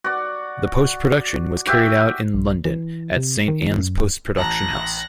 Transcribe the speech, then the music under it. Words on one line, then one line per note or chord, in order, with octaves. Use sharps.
The post production was carried out in London at Saint Anne's post production house.
F#4 D5
F#4 G4 E5
A#1
E3
C3
D#3
F#2
A1 A5 A#5 F#6 A#6